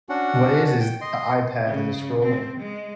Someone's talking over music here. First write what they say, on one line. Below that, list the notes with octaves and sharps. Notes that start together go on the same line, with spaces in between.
What it is is the iPad and the scrolling.
C#4 D4 F#4 F#5
F#5
G5
D#5 C6
C#3
C4
G#3